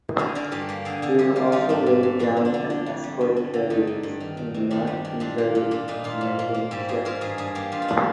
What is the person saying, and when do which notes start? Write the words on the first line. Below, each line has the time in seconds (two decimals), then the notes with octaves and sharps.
They were also laid down as escort carriers and not converted merchant ships.
0.18 D3 G#4
0.35 D3 A#4
0.52 G2 G4
0.69 A#3 G4
0.85 D3 G#4
1.02 D3 G#4
1.19 G3 G4
1.36 A#3 F4
1.52 G3 D#4
1.69 G#2 D4
1.86 G#2
2.03 G#2
2.19 F2 D4
2.37 D3
2.45 D4
2.54 D3
2.70 D3
2.86 F2
3.03 G3
3.21 G2
3.36 G2
3.54 D3
3.70 G2 D#4
3.87 G2
4.03 G2
4.20 D#3
4.37 D#3
4.54 C3
4.71 D#3 D4
4.87 G3
5.05 D#3
5.20 A#2 D4
5.38 A#3
5.55 A#2
5.71 A#2 D4
5.88 A#2 D#4
6.04 A#2 F4
6.21 G#2
6.39 A#3
6.54 A#3
6.71 G#2 G4
6.89 G#2 G#4
7.05 G#2 A#4
7.21 G2 G#4
7.38 G2 G#4
7.55 A#3 G4
7.72 G2 F4
7.82 D#4
7.88 G3 D4